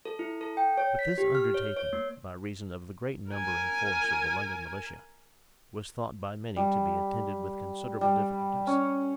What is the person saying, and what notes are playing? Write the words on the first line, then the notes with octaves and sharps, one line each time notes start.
But this undertaking, by reason of the great number and force of the London militia, was thought by many to be attended with considerable difficulties.
A4
E4
A4
G5
C#5
B6
G4
F6
C#5
C#5
A#3
A#4 G#5
G3
G3
C#4